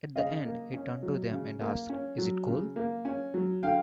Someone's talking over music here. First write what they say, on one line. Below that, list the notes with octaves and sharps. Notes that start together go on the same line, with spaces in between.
At the end, he turned to them and asked, Is it cool?
C#3 D#5 F5
A#3
C#4
F#3
C#3
A#3
C#4
F#3
C#3
A#3
C#4
F#3
D3 F5 G5